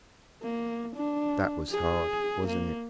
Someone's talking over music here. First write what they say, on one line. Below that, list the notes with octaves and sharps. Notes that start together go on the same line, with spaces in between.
That was hard, wasn't it?
A#3
D4
G#4
A#3